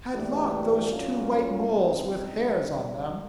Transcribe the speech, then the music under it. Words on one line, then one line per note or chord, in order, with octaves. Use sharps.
"Had Locke those two white moles with hairs on them?"
G#2 E3 A3 D4 G4
A#2 F#3 A#3 C#4 F4
C#2 B2 G#3 C4 D#4
F#2 D#3 G3